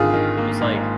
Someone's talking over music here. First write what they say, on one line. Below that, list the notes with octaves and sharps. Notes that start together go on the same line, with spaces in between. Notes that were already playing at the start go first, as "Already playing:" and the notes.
it was, like
Already playing: G#1 D3 F4 G#4
D#3
A#3
G#2